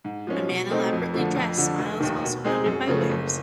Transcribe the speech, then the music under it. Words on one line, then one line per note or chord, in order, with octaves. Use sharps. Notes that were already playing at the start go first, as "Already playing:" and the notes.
A man, elaborately dressed, smiles while surrounded by wares.
G#2
F3 G#3 C#4
B2
F#3 A3 C4 D#4
F2
D3 F3 A3
F2
D3 F3
F1
D#2 D#3
B2
G#3 C4 D#4 G#4
F#2
C#3 F3 A3
F#1